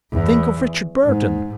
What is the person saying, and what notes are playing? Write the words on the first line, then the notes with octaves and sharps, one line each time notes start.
Think of Richard Burton!
E2
G#2